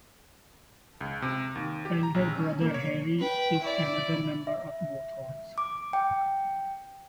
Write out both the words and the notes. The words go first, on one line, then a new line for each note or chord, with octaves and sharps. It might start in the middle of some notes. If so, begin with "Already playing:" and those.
Elder brother Harry is another member of both Halls.
C#2
C3
D#2
G4
A#5
A#1
C#4
A#3
C#5
B4 G5
E4 D5
E5
D6
G5